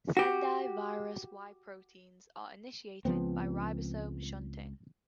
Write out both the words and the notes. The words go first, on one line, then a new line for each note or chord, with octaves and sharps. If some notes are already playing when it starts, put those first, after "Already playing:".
Sendai virus Y proteins are initiated by ribosome shunting.
F#4 G4
C#2 F3 B3 C4